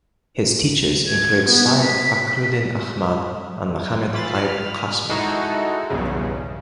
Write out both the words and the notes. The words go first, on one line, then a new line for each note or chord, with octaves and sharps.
His teachers include Syed Fakhruddin Ahmad and Muhammad Tayyib Qasmi.
G#6
B3
B6
E3 F4 B5 A6
B5 F6
G#3 D#4 E4 F#4 A4
B1 E2 G2 C#3